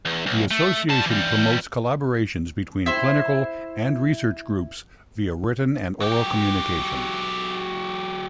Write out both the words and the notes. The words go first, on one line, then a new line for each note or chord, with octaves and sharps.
The Association promotes collaborations between clinical and research groups via written and oral communication.
E2
B1
A3
G3 A5
E3 G3
E4 C5
F#3 G4